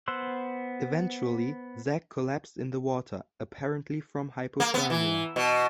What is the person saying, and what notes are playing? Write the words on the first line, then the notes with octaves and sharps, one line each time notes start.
Eventually, Zack collapsed in the water, apparently from hypothermia.
B3 C5 C6 E6 F#6
A#3
B3
E3
B2